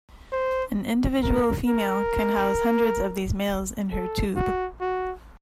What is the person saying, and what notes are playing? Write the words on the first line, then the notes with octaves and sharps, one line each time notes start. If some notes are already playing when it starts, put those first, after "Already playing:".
An individual female can house hundreds of these males in her tube.
C5
A#4
A#4
A4
F#4
F#4